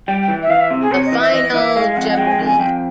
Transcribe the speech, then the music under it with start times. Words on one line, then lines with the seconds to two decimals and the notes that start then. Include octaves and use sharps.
The Final Jeopardy!
0.07 G3 G5
0.21 G5
0.28 E3
0.42 E5
0.50 E3 F5
0.60 E5
0.71 C3
0.81 G#4
0.91 C3 C#5
1.06 D#5
1.12 E3
1.20 E5
1.33 E3 D#5
1.54 E3 E5
1.75 G#3 F5
1.92 F5
1.96 F2 F#5
2.11 F#5
2.17 G#3 G5
2.27 G#5
2.31 G5
2.39 F2
2.46 G#5
2.59 F2 G5